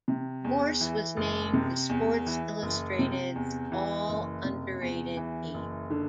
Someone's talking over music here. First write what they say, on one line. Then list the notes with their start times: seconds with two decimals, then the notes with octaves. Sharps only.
Morse was named to "Sports Illustrated"'s "All-Underrated Team".
0.08 C3
0.44 E2
0.81 E3
1.17 F#1
1.53 C3
1.89 E2
2.26 E3
2.62 F#1
2.99 C3
3.36 E2
3.72 E3
4.09 F#1
4.45 C3
4.81 E2
5.17 E3
5.54 F#1
5.90 D3